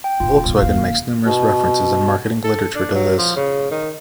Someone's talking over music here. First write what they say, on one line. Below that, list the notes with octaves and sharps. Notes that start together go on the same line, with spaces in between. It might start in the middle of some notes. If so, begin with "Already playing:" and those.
Volkswagen makes numerous references in marketing literature to this.
G5
F1 A2 F4
A#1 B2
E1 D#2 F5
B2
A4
D4
F#3
F3
C#3
D#3